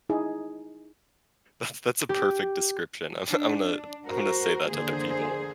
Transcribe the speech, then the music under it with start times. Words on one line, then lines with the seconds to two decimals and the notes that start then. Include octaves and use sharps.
That's that's a perfect description of I'm gonna I'm gonna say that to other people.
0.09 D#4 E4 G#4
2.09 G4
3.30 D4
4.05 F#4 A#4 C5
4.70 D3 A#3 G#4 C5